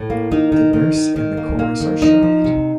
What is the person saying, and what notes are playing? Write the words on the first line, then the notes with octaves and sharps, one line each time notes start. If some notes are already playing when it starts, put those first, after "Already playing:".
The nurse and the chorus are shocked.
Already playing: A2
A#3
D#3 D#4
D#3
D#3
D#3
D#3
A#3
A#3
D#3
F3 D#4
F3
C3